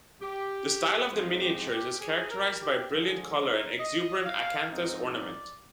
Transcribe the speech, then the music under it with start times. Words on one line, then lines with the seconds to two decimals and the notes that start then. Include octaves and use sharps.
The style of the miniatures is characterized by brilliant colour and exuberant acanthus ornament.
0.21 G4
1.11 G#2 F3 G#3 C4 D#4 F4
1.41 G4
1.70 G4
2.00 G#4
2.30 A#4
2.60 G4
2.90 D3 F3 G#3 D4 G#4
3.35 A#4
3.79 D#5
4.24 F5
4.69 G#2 F3 C4 D#4
5.14 D5